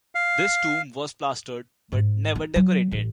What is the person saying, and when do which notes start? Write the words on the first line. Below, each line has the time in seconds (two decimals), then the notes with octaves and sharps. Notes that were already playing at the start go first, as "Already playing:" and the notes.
This tomb was plastered, but never decorated.
0.15 F5
1.92 G#2
2.35 D#4
2.56 F#3
2.92 A1